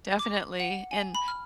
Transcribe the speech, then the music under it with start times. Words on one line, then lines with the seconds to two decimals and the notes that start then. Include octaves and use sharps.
Definitely, and
0.19 D6
0.60 F#5
0.91 G#5
1.15 B5
1.28 F6